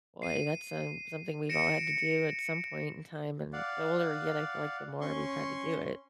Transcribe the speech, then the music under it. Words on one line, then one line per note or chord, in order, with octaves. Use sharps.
Boy, that's, um, something we've all had to do at some point in time, and the older we get, I feel like the more we've had to do it,
C7 D#7
A#6 C#7 D7 E7
D5 F5 F#5
C#4 C6 C#6